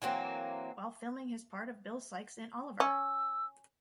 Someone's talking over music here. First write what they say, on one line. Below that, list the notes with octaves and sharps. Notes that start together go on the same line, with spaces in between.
While filming his part of Bill Sikes in Oliver!
E3 F#3 A#3 C4
C#4 E6